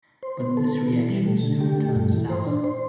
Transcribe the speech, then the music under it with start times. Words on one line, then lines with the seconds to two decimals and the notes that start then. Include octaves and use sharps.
But this reaction soon turned sour.
0.23 C5
0.40 B3
0.57 A4
0.75 B3
0.92 E3
1.09 G3
1.26 A3
1.44 D3
1.61 G4
1.78 A3
1.95 G2
2.12 E3
2.30 C5
2.47 D4
2.64 C5